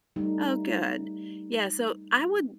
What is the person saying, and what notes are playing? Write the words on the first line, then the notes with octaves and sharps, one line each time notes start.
Oh, good. Yeah, so I would
G3 A3 D#4